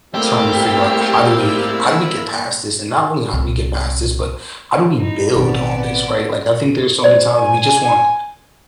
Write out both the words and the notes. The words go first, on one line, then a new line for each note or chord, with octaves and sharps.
trying to figure out how do we how do we get past this? And not only how do we get past this, but how do we build on this, right? Like, I think there's so many times we just want
G3 A3 A#3 C4 E4 G4
C2
D#4 E4
A1 B2 D#3 B3 C4 D5
C5 D5
G#5